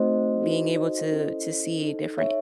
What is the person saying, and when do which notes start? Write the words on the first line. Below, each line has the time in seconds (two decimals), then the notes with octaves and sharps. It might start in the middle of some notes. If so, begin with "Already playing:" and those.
being able to to see different a
Already playing: A3 C4 D#4 F#4 C5 D#5
0.40 D#4 F#4 A4
0.76 C5 D#5
1.12 C#4 E4 A4
1.82 D#4 A4
2.18 C#5 E5